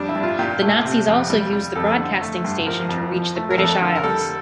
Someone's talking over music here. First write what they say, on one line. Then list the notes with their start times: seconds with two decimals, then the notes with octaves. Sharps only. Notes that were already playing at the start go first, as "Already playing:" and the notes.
The Nazis also used the broadcasting station to reach the British Isles.
Already playing: F2 G3 D4
0.09 E4
0.15 G2
0.23 F4
0.39 A#2 G4
0.62 A3
0.85 C3
1.08 F2
1.30 G3
1.53 G3
1.75 F2 A4
1.98 D3
2.21 A3
2.44 G2
2.66 F3 A#4
2.89 F2
3.12 F3
3.35 A3
3.50 A#4
3.58 F2 A4
3.82 D3
3.96 A#4
4.04 G3 A4